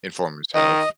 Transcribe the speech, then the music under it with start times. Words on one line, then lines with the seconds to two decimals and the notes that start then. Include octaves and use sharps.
informers have.
0.55 D#3 D#5